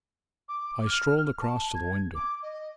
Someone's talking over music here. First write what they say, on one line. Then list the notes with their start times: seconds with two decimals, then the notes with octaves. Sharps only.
I strolled across to the window.
0.49 D6
0.87 F6
1.42 A5
1.74 G#6
2.15 D6
2.43 D#5